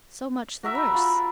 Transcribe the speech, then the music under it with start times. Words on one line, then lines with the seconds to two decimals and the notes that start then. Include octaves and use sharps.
So much the worse!
0.63 F#4 A#4 E5
0.75 B5
0.94 F4